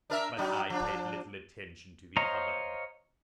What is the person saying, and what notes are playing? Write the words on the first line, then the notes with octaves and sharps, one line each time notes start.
But I paid little attention to the hubbub.
D4 A#4 E5
F#3 D4 D#4
F3 D4
C5 C#5 D#5 F5 A#5